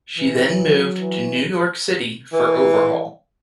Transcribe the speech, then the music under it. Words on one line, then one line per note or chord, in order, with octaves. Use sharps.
She then moved to New York City for overhaul.
E3
F#3
E3
E3